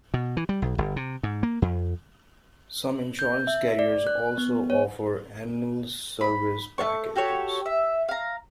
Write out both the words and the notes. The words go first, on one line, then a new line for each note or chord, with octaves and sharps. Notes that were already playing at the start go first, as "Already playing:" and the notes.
Some insurance carriers also offer annual service packages.
B2
E3
G3
B1
G1
C3
G#2
A#3
F2
G6
E5
D5
F#6
B3
C#5
B5
A3 A#3 A5 C#6
F#4 G4 A4 C#5
E5
F5 A#5